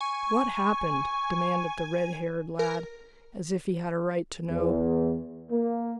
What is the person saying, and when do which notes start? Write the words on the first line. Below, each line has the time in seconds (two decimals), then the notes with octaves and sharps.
"What happened?" demanded the red-haired lad, as if he had a right to know.
0.01 G#5 C#6
2.59 A#4
4.50 E2
5.51 A#3